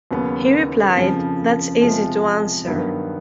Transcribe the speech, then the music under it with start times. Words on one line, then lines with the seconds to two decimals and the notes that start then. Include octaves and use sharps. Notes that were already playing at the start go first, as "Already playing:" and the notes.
He replied, That's easy to answer.
0.11 D#2 C#3 F#3 B3
0.95 F2 C#3 F3
1.81 E2 C3 F3 G#3
2.66 G2 D#3 F#3 B3